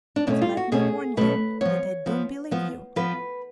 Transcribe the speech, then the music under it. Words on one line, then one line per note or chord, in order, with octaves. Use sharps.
But let me warn you that I don't believe you!
D4
B2 A3 C#4 D4
F4
F#4
B2 A3 C#4 G#4
B2 A3 C#4 B4
F3 B3 C#5
F3 B3
F3 B3
F3 B3 B4